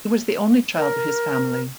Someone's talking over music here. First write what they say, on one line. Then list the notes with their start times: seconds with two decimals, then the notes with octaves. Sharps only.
He was the only child of his family.
0.77 A#4